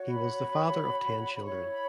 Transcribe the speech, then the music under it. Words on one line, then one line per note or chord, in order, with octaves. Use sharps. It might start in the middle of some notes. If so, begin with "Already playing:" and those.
He was the father of ten children.
Already playing: F#4 C#5
B5
E4 C#5 C#6
B5